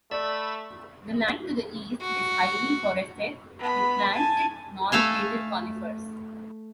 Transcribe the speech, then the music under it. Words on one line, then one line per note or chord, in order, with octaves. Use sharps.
The land to the East is highly forested with planted non-native conifers.
A3 D5 B5 E6
F#4
B3 B5
G#5 A5
A3 A4 F5 G#5